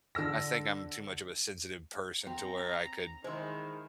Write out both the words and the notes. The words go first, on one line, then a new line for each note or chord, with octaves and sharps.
I think I'm too much of a sensitive person to where I could
D3 A4 E6 A#6
C4 A#5
D#3 G#3 E4 C5 C6